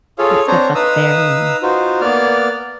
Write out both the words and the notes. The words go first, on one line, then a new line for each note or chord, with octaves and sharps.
put stuff up there and,
F4 G#4 A4 C#5 F5
C4 D4 C5 C#5 A#5
D#4 B4 F5 D#6 E6
D#4 F4 F#4 C5
A#3 B3 D5 F6